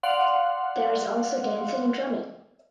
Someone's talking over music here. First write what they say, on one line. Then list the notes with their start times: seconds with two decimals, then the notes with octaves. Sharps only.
There is also dancing and drumming.
0.03 D5 F5 F#5 C6